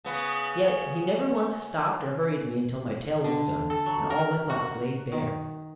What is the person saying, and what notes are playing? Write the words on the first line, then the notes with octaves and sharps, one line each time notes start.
Yet he never once stopped or hurried me, until my tale was done, and all my thoughts laid bare.
C#3 B3
D3
A4
F#3
A#4
F#4
D#3